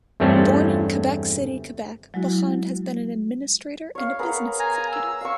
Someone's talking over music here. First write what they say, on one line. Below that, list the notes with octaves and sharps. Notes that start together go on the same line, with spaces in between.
Born in Quebec City, Quebec, Bachand has been an administrator, and a business executive.
E2 G2 G3 A3 C4 C#4
F#3 G#3 E4 F#4
C#5 F5
B3 G#4 A#4
G#5 A#5
E6
F5 C#6